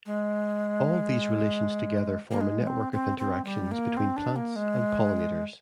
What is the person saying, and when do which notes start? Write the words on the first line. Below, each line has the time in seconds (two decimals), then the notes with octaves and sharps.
All these relations together form a network of interactions between plants and pollinators.
0.06 G#3
2.31 A#3
2.41 G#3
2.67 C4
2.92 C4
3.18 C4
3.44 G3
3.71 A#3
3.97 C4
4.16 D4
4.36 A#3
4.56 G#3